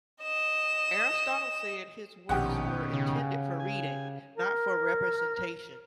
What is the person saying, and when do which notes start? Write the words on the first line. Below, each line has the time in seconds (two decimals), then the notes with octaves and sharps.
Aristotle said his works were intended for reading, not for representation.
0.22 D#5 E7
2.29 A#1 B2 D#3 C#4 G4 F#5
2.93 C#3
3.60 G#5
4.37 A#4